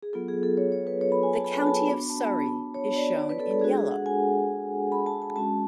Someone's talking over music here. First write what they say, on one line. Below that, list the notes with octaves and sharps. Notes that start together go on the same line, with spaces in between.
The county of Surrey is shown in yellow.
G#4
F#3 B3 F4 A4
G#4
A4
C#5
C#5
B4
C#5
B5
G#5
A5
B5
A5
B3 D4 F#4 B5
A5
C#5
D5
D5
B4
A4
A4
G#3 D4 F#4 G#4
G#4
F#5
G#5
B5
A5
A5
G#3 C#4 F#4 A5